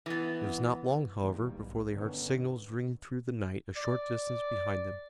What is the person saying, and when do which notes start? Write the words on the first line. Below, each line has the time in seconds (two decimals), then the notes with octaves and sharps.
It was not long, however, before they heard signals ringing through the night a short distance behind them.
0.06 E3 B3
1.21 E2 D#3 G3 A#3
1.54 B1 G#2
1.91 G2 B2 D3 D#3 B3 C#4
3.76 D5